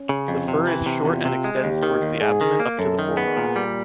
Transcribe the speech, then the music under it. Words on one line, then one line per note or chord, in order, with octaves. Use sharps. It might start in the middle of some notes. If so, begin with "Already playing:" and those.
The fur is short and extends towards the abdomen up to the forearm.
Already playing: C#4
C#3
F2
C3 E4
E3
C3
E2 F4
C3
G#3
D#2 G4
D#3
D#2
G#2 G#4
D#3
A#3
F#2 A4
D#3
G#4
B3
A#2
G3